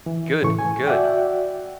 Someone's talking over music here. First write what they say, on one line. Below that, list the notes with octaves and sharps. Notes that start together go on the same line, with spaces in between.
Good, good.
E3
A2 C#3 E3 A3 C#6
G#5
F#4 D5 E5 F#5 G5